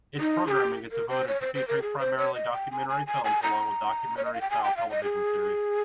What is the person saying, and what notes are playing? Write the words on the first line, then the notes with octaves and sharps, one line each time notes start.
Its programming is devoted to featuring primarily documentary films along with documentary-style television series.
D#4
G#4
G4
A#4
C5
C#5
C5
C5
A#4
G#4
C5
C#5
D#5
G5
G#5
G#5
G#5
G#5
A#5
C#5
D#5
F5
G5
G#5
G5
F5
D#5
G#4